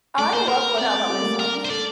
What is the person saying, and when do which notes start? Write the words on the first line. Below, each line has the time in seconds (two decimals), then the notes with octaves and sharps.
I love going out by myself.
0.18 A3 D5
0.34 A#3 C5
0.48 A#4
0.79 C4 D5
0.94 A3
1.10 G3
1.19 A#3
1.24 A3
1.39 A#3 A#4
1.55 D4
1.65 C5
1.70 A4 D5